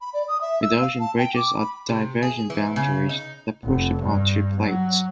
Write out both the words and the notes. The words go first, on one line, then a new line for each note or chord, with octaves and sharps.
Mid-ocean ridges are divergent boundaries that push apart two plates.
B5
D5
D#6
E5
E6
F5
A5
G5
D6
B5
C3
G#4
E3
C#3
D#4
F1
G2
F#3